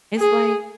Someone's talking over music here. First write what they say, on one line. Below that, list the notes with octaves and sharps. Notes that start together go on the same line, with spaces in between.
It's, like
G#4